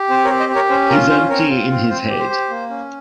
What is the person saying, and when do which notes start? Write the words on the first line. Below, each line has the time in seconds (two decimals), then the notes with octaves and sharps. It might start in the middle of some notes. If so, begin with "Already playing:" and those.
He's empty in his head.
Already playing: G4
0.10 C4 C5
0.25 A#4 C#5
0.30 G4
0.40 C5 D#5
0.50 G4
0.55 A#4 C#5
0.70 C#4 C5
0.90 F4 A#4
1.10 C#4 C5
1.30 C4 A#4 C#5
1.49 F4
1.70 C4
1.90 C4 C5
2.10 G4
2.20 C5
2.30 G4
2.50 A#3
2.70 C#4